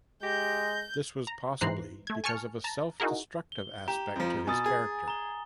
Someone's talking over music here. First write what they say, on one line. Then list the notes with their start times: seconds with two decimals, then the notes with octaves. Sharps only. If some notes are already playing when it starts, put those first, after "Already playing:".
This was possibly because of a self-destructive aspect to his character.
0.23 G#3 G4 G6 A#6
1.27 A#5
1.61 G#2 E3 C5 A#5 F#6 C7
2.07 A3 G#6
2.24 G#5 A5 C#6 F6 C#7
2.64 A5 A#5
3.00 D#4 E4 F#4 G#4 A#4
3.52 G7
3.88 G4 A#5
4.15 F2 F3
4.47 B2 G#5 D#6 A6
4.66 G#4
5.08 A#5 G7